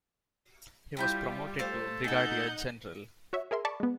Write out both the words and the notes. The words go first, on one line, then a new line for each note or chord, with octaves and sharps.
He was promoted to brigadier general.
G3 C4 E4 F4 G4 G6
A3 A4 C5 F5
D#4 F#5 G#5 E6 G6
F#4 C#5 E5
G#4 A#4 E5 C6
D5 A5 B5 C#6 D6
G#3 B3